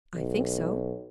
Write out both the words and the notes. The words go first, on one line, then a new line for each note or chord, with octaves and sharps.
"I think so."
B1